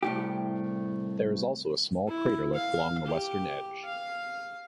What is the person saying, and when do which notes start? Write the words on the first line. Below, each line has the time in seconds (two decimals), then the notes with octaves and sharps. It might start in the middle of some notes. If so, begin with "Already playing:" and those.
There is also a small craterlet along the western edge.
0.03 C2 A2 G4
2.08 E4
2.54 F5
3.07 G4
3.85 F5